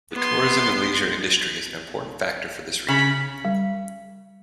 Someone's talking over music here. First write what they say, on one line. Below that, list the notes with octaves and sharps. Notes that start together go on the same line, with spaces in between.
The tourism and leisure industry is an important factor for this region.
B3 C6
C#3 B5
G3